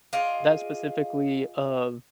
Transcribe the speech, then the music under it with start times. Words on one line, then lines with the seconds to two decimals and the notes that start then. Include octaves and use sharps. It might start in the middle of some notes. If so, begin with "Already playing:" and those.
that specifically of
0.13 F4 G#4 D5 D#5